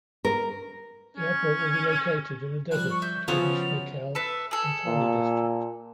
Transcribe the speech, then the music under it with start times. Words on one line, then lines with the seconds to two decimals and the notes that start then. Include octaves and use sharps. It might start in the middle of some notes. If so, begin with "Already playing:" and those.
The airport will be located in a desert between Ismailkhel and Tani District.
0.25 A#4
1.17 C#4
2.71 F3 G3 F#6
2.90 C#6
3.02 E5 G6
3.28 C#3 F3 F#3 B3 C#4 F4 F7
4.15 A4 B4 E5
4.51 G#4 A4
4.86 A#2